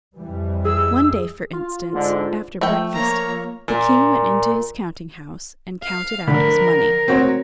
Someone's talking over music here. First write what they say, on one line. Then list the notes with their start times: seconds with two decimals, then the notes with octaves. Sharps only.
One day, for instance, after breakfast, the king went into his counting-house, and counted out his money.
0.17 F2 E3 G3
0.65 G#4 E6
1.53 F4
1.93 G#2 D3
2.61 F3 A3 G5
2.94 A#3 C#5 A#5
3.68 A#2
5.83 F5
6.27 D3 F3 A#4 B5
6.66 A#5
7.08 C4 F#4 C#5